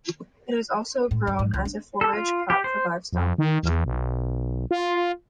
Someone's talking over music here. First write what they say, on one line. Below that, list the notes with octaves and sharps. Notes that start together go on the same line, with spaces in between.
It is also grown as a forage crop for livestock.
A2
G2
G#2
C#2
D4
A4
F4
G4
C5
F2
D#3
E2
B1
F4